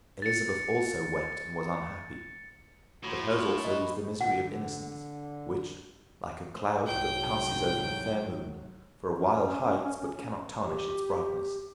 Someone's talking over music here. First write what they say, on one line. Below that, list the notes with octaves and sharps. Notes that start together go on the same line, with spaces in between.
Elizabeth also wept and was unhappy, but hers also was the misery of innocence, which, like a cloud that passes over the fair moon, for a while hides but cannot tarnish its brightness.
A6 C#7
A2 F#3 C6
F#3 C#6
B4 D#5
D3 F#5
C2 G#2 F#3 G5
C#4
G4